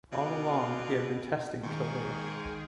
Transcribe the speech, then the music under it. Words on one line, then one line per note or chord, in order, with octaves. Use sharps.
All along, he had been testing Kildare.
B2 B3 F4 D5
G#2 D#3 G#4 F5 G5 C#6